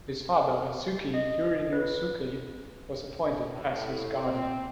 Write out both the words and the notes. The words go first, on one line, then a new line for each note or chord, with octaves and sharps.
His father, Sugi Yurinosuke, was appointed as his guardian.
D#5
B4
A2
C4